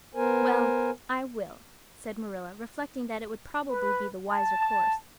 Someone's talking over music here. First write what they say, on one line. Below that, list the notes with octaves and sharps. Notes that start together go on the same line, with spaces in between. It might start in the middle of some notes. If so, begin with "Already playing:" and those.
"Well, I will," said Marilla, reflecting that it would probably be the wiser course.
B3 A#4 C5 G#5
B4
A5